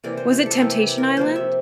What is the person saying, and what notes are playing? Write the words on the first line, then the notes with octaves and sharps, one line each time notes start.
Was it Temptation Island?
C3 E3 A#3 D5
C5
G4
A4
C3 E3 A#3 G4
A#4
C3 F3 A#3 C5
E5